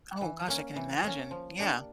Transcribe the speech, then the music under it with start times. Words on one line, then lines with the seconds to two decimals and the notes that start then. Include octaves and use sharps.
Oh gosh, I can imagine. Yeah.
0.21 E3
0.48 A#3 C#4
0.76 E3
1.04 A#3 C#4
1.31 F3
1.59 A#3 D4 G4